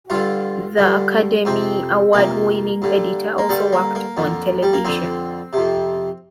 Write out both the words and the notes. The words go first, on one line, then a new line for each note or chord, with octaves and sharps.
The Academy Award-winning editor also worked on television.
G2 D3 F4
G2 D3
F2 C3 C4
F2 C3 A#3
G2 D3
A#3
G2 D3 G3
A#3
A#3
F2 D3
G3
A#3
F2 D3 C4
F2 C3